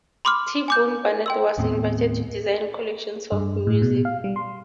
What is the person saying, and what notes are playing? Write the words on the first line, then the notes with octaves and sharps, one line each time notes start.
T Bone Burnett was invited to design collections of music.
B5 C6 D6 D#6 F6
G#5 D6 G6
G5 C6 E6
D#2 A2 B3 C4
G2
A2
B2
F5
G3
C6